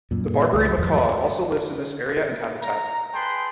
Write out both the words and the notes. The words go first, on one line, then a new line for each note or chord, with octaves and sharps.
The Barbary macaque also lives in this area and habitat.
F#2 A#2
G2 A#2
C#2 G3
E2 G#2 F3 F#3
A#5
G#4 B4 G5 A5 B5 C6